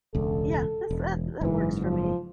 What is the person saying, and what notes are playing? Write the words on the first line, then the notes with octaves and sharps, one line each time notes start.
Yeah. That's that that works for me.
E1 C#2 A4
E1
F#1 G#2 E3
F3